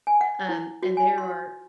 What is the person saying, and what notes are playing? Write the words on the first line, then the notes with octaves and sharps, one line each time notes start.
um, and there are
G#5
F#5
E4
F#4
G#5
C6